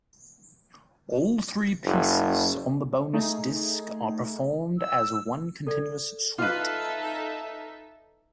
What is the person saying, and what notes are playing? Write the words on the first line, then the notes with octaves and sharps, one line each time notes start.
All three pieces on the bonus disc are performed as one continuous suite.
F#1
A3 D#4 G#4
E6
A4 D5
D#4 F4 A4 B4 D#5 E5 D6